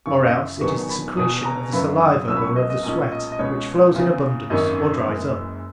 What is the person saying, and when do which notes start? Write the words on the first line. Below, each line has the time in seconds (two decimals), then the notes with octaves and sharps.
Or else it is the secretion of the saliva or of the sweat, which flows in abundance or dries up.
0.06 F#2 C#3 E3 C#6
0.26 D#5
0.34 E5
0.61 E1 E2 D#3 F#3 B3 C#6
0.89 B5
1.17 E1 E2 B2 D#6
1.45 A#5
1.72 F#2 C#3 F#3 B3 B5
2.00 D#6
2.28 C#2 B2 F#3 A#3 C#4 E6
2.36 B5
2.42 C#6
2.56 D#5
2.70 D#5
2.83 B1 A#2 G#3 C#4 D#5
3.12 D#5
3.32 D#5
3.39 C#2 B2 G#3 C#4 C#5
3.95 E2 C#3 E3
4.50 G#1 F#2 D#3 A#3 C#4 D#5
5.05 F#1 F#2 E3 G#3